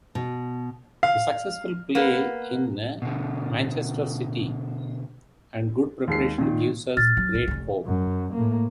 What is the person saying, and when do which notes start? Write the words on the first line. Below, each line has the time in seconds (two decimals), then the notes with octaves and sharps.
The successful play in “””Manchester city””, and good preparation gives us great hope.
0.15 B2
1.03 F5
1.95 A#3 B3
3.02 B2 D3
6.07 D#2 G#3 C7
6.38 A#2 D#3
6.97 A#2 F6 A6
7.17 F#3
7.34 B1 C#4
7.48 F1 C#4
7.85 F#2
8.34 A2 A#3